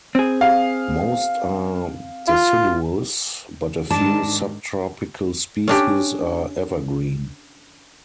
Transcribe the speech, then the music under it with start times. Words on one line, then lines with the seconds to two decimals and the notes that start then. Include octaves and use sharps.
Most are deciduous, but a few subtropical species are evergreen.
0.15 C4 G#4
0.41 F5
2.28 F4
3.90 G#2 D#3 D4 A5
5.68 C#4 D4 G4